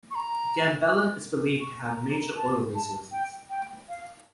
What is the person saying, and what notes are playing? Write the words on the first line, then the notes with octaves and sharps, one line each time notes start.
Gambela is believed to have major oil resources.
C#6
A#5
C#6
A#5
A#5
A5
A5
G5
G5
F5